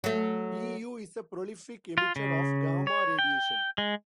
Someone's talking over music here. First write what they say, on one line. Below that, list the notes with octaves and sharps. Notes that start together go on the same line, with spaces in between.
Eu is a prolific emitter of gamma radiation.
F#3 A3
F4
C#3
C#5
G5
G#3